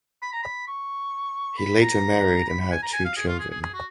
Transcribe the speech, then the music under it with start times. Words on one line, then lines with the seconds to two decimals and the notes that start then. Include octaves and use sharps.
He later married and had two children.
0.22 B5
0.33 A#5
0.43 B5
0.68 C#6
1.58 B5
1.81 A#5
2.49 B5
2.60 B5
2.71 G#5
2.83 A#5
2.93 G#5
3.05 F5
3.16 G#4
3.28 F4
3.39 G#4
3.50 G#4
3.62 G#4
3.73 F#4